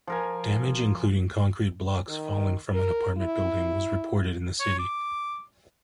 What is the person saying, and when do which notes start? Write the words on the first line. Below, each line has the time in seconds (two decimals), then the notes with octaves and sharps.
Damage including concrete blocks falling from an apartment building was reported in the city.
0.07 F3 A#4 G#5
2.09 D#3
2.74 A#4
3.18 E4
4.60 C#5
4.79 D6